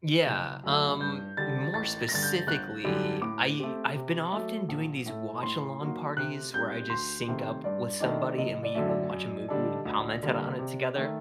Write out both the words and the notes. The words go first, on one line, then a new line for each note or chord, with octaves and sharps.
Yeah, um, more specifically, I I've been often doing these watch-along parties where I just sync up with somebody, and we will watch a movie and comment it on it together.
F#1
F#2 D3 A3
G2 G6
D3 G3 D4 A6
A1 A6
A#6
G2 D3 A6
G6
G1 F#6
F#2 D3 G3 D4
A2 D6
A3 C4 G4
C3
F#3 A3
A#1
A2 A3
A2 C6
F#3 A#3 D#4 F#4
C3 F#6
G3 C4 D#4 G6
D2 C6
C3 D#3 A3 C4
G2 D5
D#3 A3 D4 D#5
F#1 D#5
D5
F#2 D3 F#3 A3
D5
F#2
D3 G3 D4 A4
D2
D3 G3 A#3
C3
D#3 A3